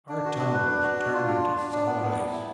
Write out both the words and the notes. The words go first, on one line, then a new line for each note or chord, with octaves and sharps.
Our tunnel was turned into solid ice.
D4
F#4
D4
B4
D4
F#4
D4
F4
D4
D4
D4
D4
B3
B3
G3
E4